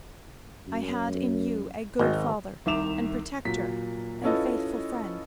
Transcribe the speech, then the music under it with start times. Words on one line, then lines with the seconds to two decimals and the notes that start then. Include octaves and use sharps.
I had in you a good father and protector and faithful friend.
0.67 F#2
1.99 G#1 F#3 D#4
2.66 C2 D#3 E5 D6 E7 F7
3.45 A#2 F#3 B6
4.24 C#4 E4 F4 A4 B4 D#5